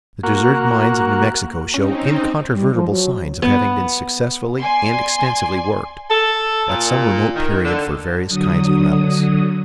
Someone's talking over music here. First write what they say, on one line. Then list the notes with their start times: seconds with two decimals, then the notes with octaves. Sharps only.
The deserted mines of New Mexico show incontrovertible signs of having been successfully and extensively worked, at some remote period, for various kinds of metals.
0.24 A#3 F#4
1.74 C4 C#4 D#4
2.54 G3
2.74 F3
2.91 F#3
3.42 B3
4.59 D5 G#5 C6
6.10 A4
6.69 A#2
7.34 D#3
7.64 D3
8.28 D3 F#3 D#6